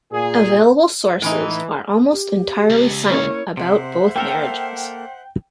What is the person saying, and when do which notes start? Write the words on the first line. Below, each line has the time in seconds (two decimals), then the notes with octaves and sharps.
Available sources are almost entirely silent about both marriages.
0.12 A#2 G#4
1.22 A2 E3 D#4
2.12 G4
2.70 C#2
3.09 A#3 C#4 E4 C#5
3.57 C3 C5 E5 F#5
4.16 A#3 A4 A#4 G5